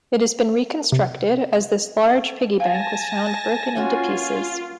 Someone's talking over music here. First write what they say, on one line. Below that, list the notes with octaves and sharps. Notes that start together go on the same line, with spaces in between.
It has been reconstructed, as this large piggy bank was found broken into pieces.
C3
F5 G#5 A5 A#6
A#3 C#4 F4 F#4